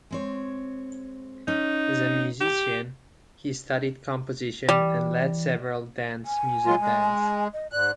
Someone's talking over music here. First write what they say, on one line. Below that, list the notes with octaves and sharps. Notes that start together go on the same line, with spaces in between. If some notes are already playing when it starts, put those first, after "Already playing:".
As a musician, he studied composition and led several dance music bands.
G#3 C4 C#5
C#4 D#4
G4
E3 G3
G#5
F#3 G#3 F4
G#3
D#5
G#2 D5 F#6